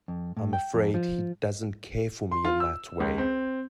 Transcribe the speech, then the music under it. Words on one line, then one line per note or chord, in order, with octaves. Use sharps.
I'm afraid he doesn't care for me in that way.
F2
A2
G5
F2
F3
C6
F4
E6
C#2
C4